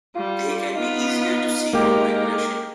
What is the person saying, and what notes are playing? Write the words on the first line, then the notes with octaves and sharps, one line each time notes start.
They can be easier to see on migration.
G3 F4
B3 D#4 F4
G#3 A#3 G4 A#4